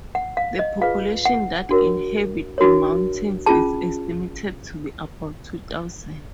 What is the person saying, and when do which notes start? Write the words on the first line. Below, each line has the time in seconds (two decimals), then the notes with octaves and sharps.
The population that inhabit the mountains is estimated to be about two thousand.
0.15 F#5
0.37 F5
0.59 D#5
0.81 F4 G#4 B4 F5
1.26 F#5
1.69 D4 F#4 A#4 C#5
2.58 D4 F#4 A#4 C#5
3.46 C#4 F4 G#4 A5